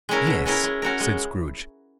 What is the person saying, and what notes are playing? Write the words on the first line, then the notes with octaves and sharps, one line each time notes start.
"Yes," said Scrooge.
G#3 C#4 E4 A#4
B2
G#3 C#4 E4 A#4
G#3
C#4 F#4 A#4
G#3